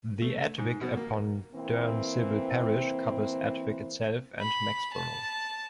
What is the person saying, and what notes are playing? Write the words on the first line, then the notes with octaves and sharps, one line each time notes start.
The Adwick upon Dearne civil parish covers Adwick itself and Mexborough.
A3
G#2
B2
A#3
E3 A#3 C4
B5
A5